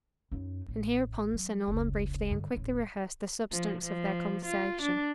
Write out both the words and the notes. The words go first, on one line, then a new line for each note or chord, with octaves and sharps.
And hereupon Sir Norman briefly and quickly rehearsed the substance of their conversation.
F#2 D#4
A1
F#3
F1 C#2
G2 D3
D1 A1
F3
F3
F4
D4